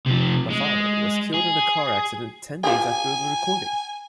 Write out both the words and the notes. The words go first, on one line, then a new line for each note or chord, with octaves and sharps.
LaFaro was killed in a car accident ten days after the recording.
C3 F3
G#3
G#4
F4 G4 G#4 G#5